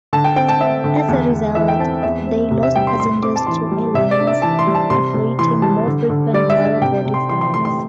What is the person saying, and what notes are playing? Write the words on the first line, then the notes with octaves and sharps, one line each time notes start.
As a result, they lost passengers to airlines operating more frequent narrow body flights.
D3 A5
G5
C4 G5
A5
C4 E5
D3
E2
E2
E3 E5
G5
C4 A5
E2 E5
C4
C3
E5
G3 G5
C6
A2 C6
C4 D6
A5
E3 C6
G3
C3 E5
D5
D4
E5
E3 A5
C6
G3
A5
C3 C6
C3
E3 C6
G3 A5
D3
D3
G3 D5
E5
D4
E5
C3 G5
C3
C6
E3 C6
C6
A3 C6
C6